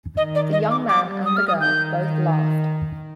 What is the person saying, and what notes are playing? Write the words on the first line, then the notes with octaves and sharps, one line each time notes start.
The young man and the girl both laughed.
D#3 D#5
D5
D#5
D6
G3 D6
D#6
F6
D#6
D#3 G6